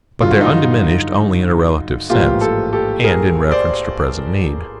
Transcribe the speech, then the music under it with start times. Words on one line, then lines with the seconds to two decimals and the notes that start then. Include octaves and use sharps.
But they are undiminished only in a relative sense and in reference to present need.
0.21 G2 D3 F#3 F4
0.31 F#4
0.41 D#4 F4
2.10 A1 G#2 F3 A#3 F4 G4
2.41 G4 A4
2.73 G4 A4
3.04 G#4 A#4
3.51 C5 D5